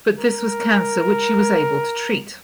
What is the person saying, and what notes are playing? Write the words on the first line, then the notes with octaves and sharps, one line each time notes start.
But this was cancer which she was able to treat.
A#4